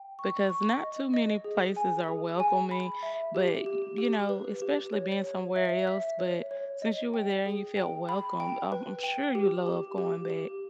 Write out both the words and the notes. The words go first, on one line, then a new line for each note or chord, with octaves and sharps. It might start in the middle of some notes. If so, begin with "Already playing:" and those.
Because not too many places are welcoming, but, you know, especially being somewhere else, but since you were there and you felt welcome, um, I'm sure you love going back.
Already playing: G5
C#6
C#6
D#5
D#5
G#4
G#5
G#4
G#5
B5
E5
G4
G4
G4
B4
G4
C#5
C#5
E5
E5
C#5
C#5
D#5
G5
G#4
G5
B5
G5
B4
G5
G4
G4
G4
G4